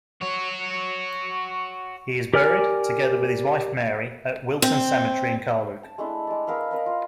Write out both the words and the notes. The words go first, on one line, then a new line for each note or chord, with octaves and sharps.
He is buried, together with his wife Mary, at Wilton Cemetery, in Carluke.
F#4 C#5
G4 A#4 D5 G#5 F6
C4
A5
G#3 A3 D4 E4
G#3 D5
B3 A#4 E5 F5
A#4 B4 D#5
F4